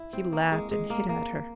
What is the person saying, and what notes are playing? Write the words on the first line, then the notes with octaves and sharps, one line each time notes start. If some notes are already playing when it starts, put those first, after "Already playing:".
He laughed and hit at her.
Already playing: E4
C4
A#3
G#3
G#3
A#3
A#3